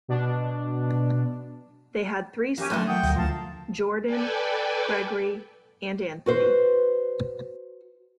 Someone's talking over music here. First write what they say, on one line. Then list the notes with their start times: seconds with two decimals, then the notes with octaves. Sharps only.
They had three sons, Jordan, Gregory and Anthony.
0.08 B2 D4
2.57 E3 A#3 C#4 D#4 G4 G#5
2.70 F#3 A3 A#3 A5 C6
2.87 F#5 G5 D#6
3.03 D2 F#3 A#4
3.16 D2 F3 F5 A5
4.06 A4 B4 D5 G5 G#5
6.26 F#4 B4 C5